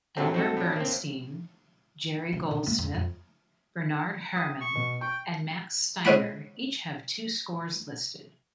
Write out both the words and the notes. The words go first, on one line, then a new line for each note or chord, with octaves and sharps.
Elmer Bernstein, Jerry Goldsmith, Bernard Herrmann, and Max Steiner each have two scores listed.
G2 A#2 F#3 A3 C4
A3 C4 D#4 F#4 A4
A2 D4
A#3 C4
C#3
C#3
A#3
E2
F2
D#6
C#6
B2
G5 C#6
G#3 C4 C#4 F#5 B5 D6